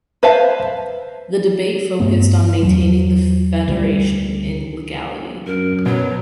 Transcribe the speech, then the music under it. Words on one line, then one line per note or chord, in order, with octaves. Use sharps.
The debate focused on maintaining the Federation in legality.
B4 C5 E5 F5 A5
G2 A3 B3
E2 F#3
D2 G3
F#2 A#4
B2 F#3